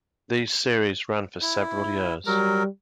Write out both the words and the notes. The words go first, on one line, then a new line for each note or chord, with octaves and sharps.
These series ran for several years.
E4
F#3 G3 A#4